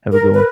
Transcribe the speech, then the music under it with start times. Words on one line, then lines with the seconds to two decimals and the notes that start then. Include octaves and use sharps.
Have a good one.
0.12 A#4
0.34 B4